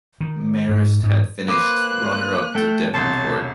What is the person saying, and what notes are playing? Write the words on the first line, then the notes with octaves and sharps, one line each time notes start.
Marist had finished runner up to Devonport.
D#3
G#2
G#2
A#3 B4 C5 D6 F#6
A3 A4 G5
E1 C2 C#5 A5 C6